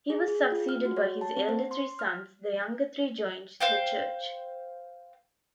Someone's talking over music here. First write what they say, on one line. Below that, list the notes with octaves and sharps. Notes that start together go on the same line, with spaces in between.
He was succeeded by his elder three sons, the younger three joined the Church.
G#4
G#4
F4
F6
F#4
C#5
A5
C4
C5
C6
F6
C5 F5 G5